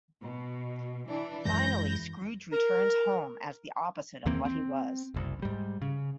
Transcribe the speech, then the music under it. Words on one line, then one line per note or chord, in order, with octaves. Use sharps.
Finally Scrooge returns home as the opposite of what he was.
B2
E3 D4
F#2 E3 G#3 E4 G6 A#6
A#4
E2 E3 A#3 C4
C4
F#1 C2
G#2 G3
C#3